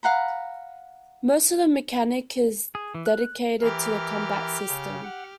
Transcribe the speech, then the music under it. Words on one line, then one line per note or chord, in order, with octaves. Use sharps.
Most of the mechanic is dedicated to the combat system.
F5 F#5 A#5 B5
G#4
E3
F#6
E3 G4 A#4 F6
C#3
F#5